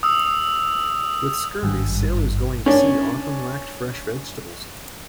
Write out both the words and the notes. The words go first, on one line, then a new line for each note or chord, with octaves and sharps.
With scurvy, sailors going to sea often lacked fresh vegetables.
D#6 E6
G#1 G2
C#4 D4